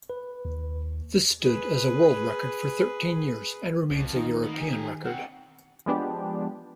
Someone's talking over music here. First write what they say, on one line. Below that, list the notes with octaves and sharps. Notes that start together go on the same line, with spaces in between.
This stood as a world record for thirteen years and remains a European record.
B4
D#2
G#4 B4
C2 F2 F3
D#3 D#4
A#3 B3
G4 G#5
G3 C4 F#5
F3 G#3 B3 D4 G4